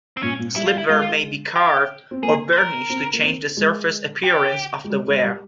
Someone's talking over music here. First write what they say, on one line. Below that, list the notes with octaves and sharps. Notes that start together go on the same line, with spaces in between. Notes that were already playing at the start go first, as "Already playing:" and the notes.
Slipware may be carved or burnished to change the surface appearance of the ware.
C4
A#2 C#4
A#2
G3 E4
F4
G3
E4
G#3 F4
G4
C4
A#3 G#4
C5
A#4
C4
A#3
C4
G#3
G4
G#3
G3
G#3
G3